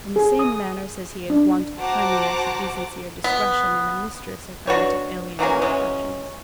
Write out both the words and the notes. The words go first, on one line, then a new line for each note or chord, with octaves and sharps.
In the same manner, says he, as want of cleanliness, decency, or discretion in a mistress are found to alienate our affections.
G#4
D#6
D4
F#4 C5 F#5 A5 A#5 D6
B3
D4 F#4 B4 C#5
E3 F#3 A#3 C#4
E3 F#3 G#3 C#4